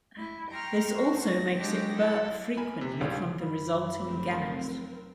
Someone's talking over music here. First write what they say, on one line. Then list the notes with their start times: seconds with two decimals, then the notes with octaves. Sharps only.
This also makes it burp frequently from the resulting gas.
0.18 E4
0.51 G5 A#5 C6 C#6 F6
0.91 F#4 C5
1.27 A#6
1.57 F#3 G#3 D4 G4 A#6
1.95 E4 A4
2.57 A#4 G#5 B5
2.81 C3
3.01 C#2 G3 D4
3.41 F#2 B5
4.05 F1 C4 A#4 B4